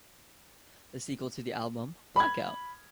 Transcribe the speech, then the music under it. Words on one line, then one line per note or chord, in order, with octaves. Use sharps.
The sequel to the album, Blackout!
B5 G#6